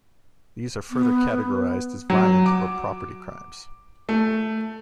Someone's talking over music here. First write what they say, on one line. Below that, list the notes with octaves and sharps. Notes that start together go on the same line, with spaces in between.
These are further categorized as violent or property crimes.
B3
F#3
D6
A3